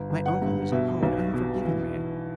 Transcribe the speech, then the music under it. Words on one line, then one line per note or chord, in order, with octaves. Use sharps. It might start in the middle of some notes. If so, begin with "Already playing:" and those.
My uncle is a hard, unforgiving man.
Already playing: G1
G1
F#5
G2
B2 E5
B1
B2
E3